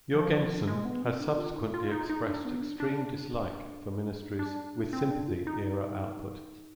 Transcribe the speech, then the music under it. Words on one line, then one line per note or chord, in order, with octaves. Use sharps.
Jourgensen has subsequently expressed extreme dislike for Ministry's "With Sympathy"-era output.
F3
G#3
B3
C4
D4
F4
D#4
F4
D#4
D#4
D4
B3
D4
D4
D4
C4
D4
F4
D#4